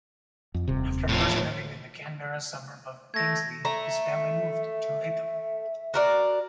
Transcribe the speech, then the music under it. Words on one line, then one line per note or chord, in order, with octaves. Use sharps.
After first living in the Canberra suburb of Ainslie, his family moved to Latham.
F2
D#1 C3
A2 F3
A3 G#6 A#6
A3 E5 A#5
F#4 A#4 D5